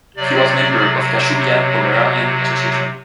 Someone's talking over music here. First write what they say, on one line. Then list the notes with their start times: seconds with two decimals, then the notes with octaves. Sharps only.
He was member of Kashubian-Pomeranian Association.
0.16 C3 F#3 D5